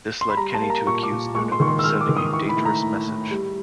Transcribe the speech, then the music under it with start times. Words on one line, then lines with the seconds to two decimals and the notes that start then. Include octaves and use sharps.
This led Kenny to accuse Noonan of sending a "dangerous message".
0.21 C6
0.30 B5
0.37 G3 A#5
0.54 A5
0.62 A#3
0.70 A#5
0.87 A#2 C#6
1.03 D6
1.11 A#2
1.35 G#3 C#6
1.52 C6
1.60 D#3 C#6
1.68 C6
1.79 E6
1.84 G#3 F6
2.01 D6
2.09 D#3
2.17 D#6
2.33 E3 C#6
2.49 B5
2.57 A3
2.65 A#5
2.82 A2
3.06 A2
3.31 G3